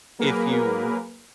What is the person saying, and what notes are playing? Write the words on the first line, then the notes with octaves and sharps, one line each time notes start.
if you
F#3 A#3 G#4 A#4 B4